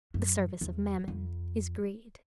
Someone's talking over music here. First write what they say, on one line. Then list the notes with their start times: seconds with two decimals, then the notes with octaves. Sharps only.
The service of Mammon is greed.
0.14 F#2
0.61 E2
1.08 F2